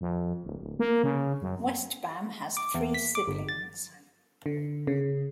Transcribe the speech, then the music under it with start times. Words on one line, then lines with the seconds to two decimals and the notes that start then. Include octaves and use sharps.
Westbam has three siblings.
0.01 F2
0.44 D1
0.61 D1
0.79 A#3
1.03 C#3
1.42 F#2
2.57 D6
2.74 E2
2.94 B6
3.15 D6
3.27 G1
3.49 A6
4.46 D3
4.87 C#3